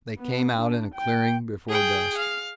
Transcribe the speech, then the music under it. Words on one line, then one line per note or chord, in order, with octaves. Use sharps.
They came out in a clearing, before dusk.
B3
D4
G5
G#4 G5
F5